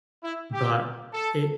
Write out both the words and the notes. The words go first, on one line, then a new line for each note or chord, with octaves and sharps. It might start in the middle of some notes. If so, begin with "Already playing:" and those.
But it
E4
G4
A4